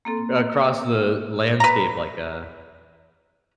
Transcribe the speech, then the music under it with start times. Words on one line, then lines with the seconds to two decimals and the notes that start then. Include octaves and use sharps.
across the landscape like a
0.05 A#3 C4 A4
1.60 B4 A#5